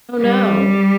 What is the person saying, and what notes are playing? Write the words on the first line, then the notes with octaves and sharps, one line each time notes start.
Oh, no.
G3